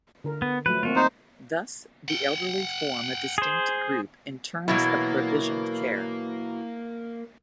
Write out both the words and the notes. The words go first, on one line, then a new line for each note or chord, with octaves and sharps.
Thus, the elderly form a distinct group in terms of provision of care.
D3 A#4
B3
F3 F#3 A3 B4
A3 A#3 C4 F4 F#4
C4 D#4 C5
F#5 G5
G#4 C5
B2 E3 F#3 A#3 E4